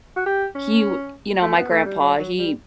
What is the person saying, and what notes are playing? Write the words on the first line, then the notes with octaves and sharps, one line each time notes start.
he, w you know, my grandpa, he
F#4
G4
C#4
A3
B3
A3
G3
F#3
F#3
G3